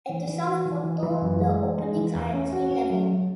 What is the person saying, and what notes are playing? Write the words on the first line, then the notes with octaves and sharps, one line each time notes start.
At the South portal the openings are at the same level.
E3
E3
F#4
E3
E3
E3
F#2
G#3
E3
G#3
E3
E2
C#4
F#4
C#4
F#3
F#3